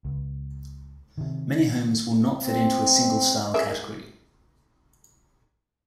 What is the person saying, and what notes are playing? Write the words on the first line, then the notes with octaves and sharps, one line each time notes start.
Many homes will not fit into a single style category.
C#2
C3 D#3
C4
G#4 A#4 E5